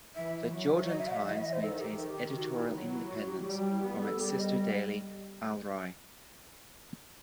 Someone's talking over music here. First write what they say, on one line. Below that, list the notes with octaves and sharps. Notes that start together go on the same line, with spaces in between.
"The Jordan Times" maintains editorial independence from its sister daily "Al Rai".
E3 E5
F#3
D#5
E5
F#5
E5
E3 D#5
E5
D#5
C5
D#3 A4
G4
F#4
E4
F#3
E4
F#4
G4
G3 G4
F#4
E4
B3 G4
A4
G3 G4
D#5